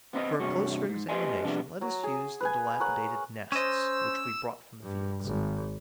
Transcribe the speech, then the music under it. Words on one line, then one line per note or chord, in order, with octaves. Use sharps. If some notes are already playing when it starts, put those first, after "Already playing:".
For a closer examination, let us use the dilapidated nests which we brought from the fields.
B3 C4 A#4 D#5
G2 C3 F#4 G#4 C#5
G#2
G4 A4 B4 C5 D#5 G#5
C3 F3 G3 B3 D4
F#3
G#4
B4 G#5
A#4 C#5 F#5
C#4 C5 D#5 E6
G2
G#1